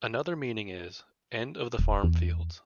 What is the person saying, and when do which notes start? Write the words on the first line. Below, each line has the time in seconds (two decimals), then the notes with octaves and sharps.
Another meaning is "End of the farmfields".
1.79 D#1
2.04 E2